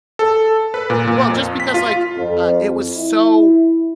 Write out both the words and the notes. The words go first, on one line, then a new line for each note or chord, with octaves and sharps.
Well, just because, like, I it was so
A4
B4
A#2
A#2
F2
B6
F4
F2
E4